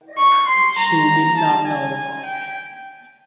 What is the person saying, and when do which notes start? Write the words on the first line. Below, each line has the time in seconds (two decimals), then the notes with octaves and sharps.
She did not know.
0.17 C#6
0.48 C6
0.78 A#5
1.37 A5
1.66 G#5
2.25 G5